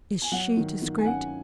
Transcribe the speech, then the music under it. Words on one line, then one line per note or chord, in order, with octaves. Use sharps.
"Is she discreet?"
G#5
F#3 F#5
D#3
D#3
G#5
C#4 F#5